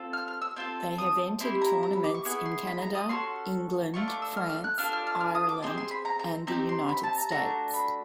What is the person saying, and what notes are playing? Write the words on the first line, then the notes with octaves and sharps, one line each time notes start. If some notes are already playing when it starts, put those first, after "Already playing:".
They have entered tournaments in Canada, England, France, Ireland and the United States.
Already playing: C4 F4 A4
F6
F6
E6
C4 F4 A4
D#6
C4 E4 G4 C6
A#5
A#5
B5
D6
C#6
B3 E4 G#4 C#6
C6
B5
A#5
D#6
C#4 F#4 A4 C6
A3 D4 F4 C#6
D6
E6
F6
F6
F#6
D4 F4 A4 F6
F6
F6
F6
D#6
D6
C4 D#4 G#4 C6
C6
B5
A#5
A#5
C4 D#4 G4 A#5
C6
B5
A5
A#5
A3 D4 F#4 A#5
B5